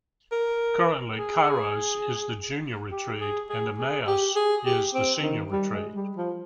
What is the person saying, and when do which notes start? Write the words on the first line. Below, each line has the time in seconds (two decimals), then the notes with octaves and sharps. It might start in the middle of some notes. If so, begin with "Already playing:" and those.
Currently, Kairos is the junior retreat and Emmaus is the senior retreat.
0.32 A#4
1.18 G#4
2.91 G4
3.21 G#4
3.50 G#4
3.79 G#4
4.07 G4
4.36 G#4
4.65 G4
4.94 C4
5.23 D#3
5.52 G3
5.72 G#3
5.95 G3
6.16 F3